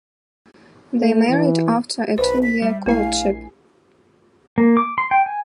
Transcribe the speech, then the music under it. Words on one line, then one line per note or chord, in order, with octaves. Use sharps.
They married after a two-year courtship.
A3
E3
B1 B4 C5
B6
G3 E5
A#1 A3 E4 F5 G#5 C7
A#3
D6
C6
G5
G#5